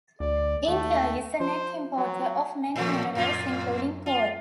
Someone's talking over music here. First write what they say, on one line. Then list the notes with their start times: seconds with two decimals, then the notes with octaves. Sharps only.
India is a net importer of many minerals including coal.
0.20 D2 D5
0.68 D#2 A3
1.40 F3 C5
1.97 F#3
2.76 A2 F3 A3 A#3 C#4
3.15 F#2 A2 A#3 F4
4.06 F4